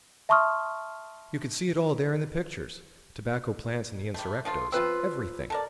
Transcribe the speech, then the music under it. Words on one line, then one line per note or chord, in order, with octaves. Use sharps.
You could see it all there in the pictures--tobacco plants and the insurrectos--everything.
E5 A5 C6 C#6 D#6 F6
G3 A3
F3 A3 F4
F3 C4 F4 B4 E6
A4 A#4 D5